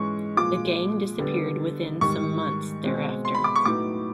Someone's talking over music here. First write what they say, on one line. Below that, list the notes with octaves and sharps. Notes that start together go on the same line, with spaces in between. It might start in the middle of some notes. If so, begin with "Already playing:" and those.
The gang disappeared within some months thereafter.
Already playing: G#2 E3 G#3 C#4 C#6
A#2 F3 G#3 D6
D3 G3 B3
G#2 D#3 G3 C#6
B2 G#3 C4
C6
B5
D6
C#6
A2 F#3 B3 D#4 D6